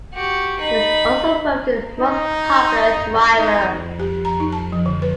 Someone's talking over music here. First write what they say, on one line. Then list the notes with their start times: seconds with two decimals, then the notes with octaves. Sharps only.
He was also voted Most Popular Driver.
0.14 F#4 G4
0.60 D#4 B5
1.99 D#4
3.38 D#4
3.99 G4
4.25 A#5
4.40 D#4
4.52 A5
4.72 F3
4.86 D3
5.02 B4